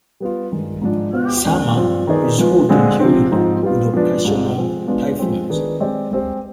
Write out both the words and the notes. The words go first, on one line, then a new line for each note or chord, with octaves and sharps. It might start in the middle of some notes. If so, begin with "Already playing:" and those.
Summer is hot and humid with occasional typhoons.
G3 B3 F4
G2 D#3 G#3
G#2 F3 G#3 D4
B2 B3 F4 C5
F2 D#3 G#3 D4
G2 F3 C4 F4
D#3 B3 D#4 G#4 D5
F3 G#3 B3 F4 B4
D3 G#3 C4 F4 G#4
C3 F3 C4
G#2 F3 C4 D#4
G3 B3 F4
F3 G#3 B3 D4
G#2 G3 D4 F4
F3 G#3 C4
B2 G#3 B3 D4 F4
F3 G#3 C4 G4
D#3 B3 D4 G#4 B4
G#3 C4 G4 D5
G#3 C4 G4 C5